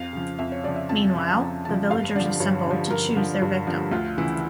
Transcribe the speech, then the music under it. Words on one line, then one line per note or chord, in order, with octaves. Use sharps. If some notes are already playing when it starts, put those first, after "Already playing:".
Meanwhile the villagers assemble to choose their victim.
Already playing: F2 F5
C#3 F3
F2 E5
C#5
C#3 F3 D5
E5
F2 A5
C#3 F3
F2 A#5
C#3 F3 A5
G2 F5
D3 F3 D5
G2 C#5
D3 F3
G2 A#4
D3 F3
G2
D3 F3
D2 F4
C#3 E3 E4